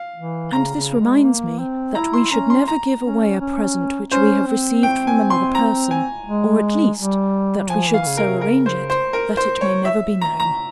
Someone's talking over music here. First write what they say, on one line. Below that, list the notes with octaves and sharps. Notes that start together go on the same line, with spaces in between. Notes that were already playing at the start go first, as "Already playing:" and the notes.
And this reminds me, that we should never give away a present which we have received from another person, or at least that we should so arrange it, that it may never be known.
Already playing: F5
E3
C#3 A#5
C#3
G#3
A#3
C4
E4 A#5
C6
C#4 A#5
C6
A#5
C#4
C#4
C#4 C5
C4
G5
G#5
C6
A#5
G#5
G#3
G3
G3
F3 G#5
E3
F5
E3
C#3
A#4
C3
C#3 A#4
C5
C5
A#4
C5
C#5
E5
A#5
A#5